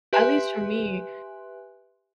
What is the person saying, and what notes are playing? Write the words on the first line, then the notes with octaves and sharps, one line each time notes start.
at least for me,
G4 B4 E5 G#5 C6 F#6